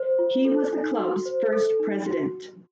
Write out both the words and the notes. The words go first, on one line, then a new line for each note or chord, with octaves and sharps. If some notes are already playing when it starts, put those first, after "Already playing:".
He was the club's first president.
Already playing: C5
F4
A4
D#4
F#4
C5
A4
D#4
F#4